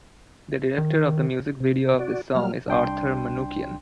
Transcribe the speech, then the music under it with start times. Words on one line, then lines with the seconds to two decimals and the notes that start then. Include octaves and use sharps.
The director of the music video of this song is Arthur Manukyan.
0.78 D#3
1.60 C3
1.99 F#4 D5
2.35 F#3 G3 A#3 F6
2.67 C2 D4 G5 C6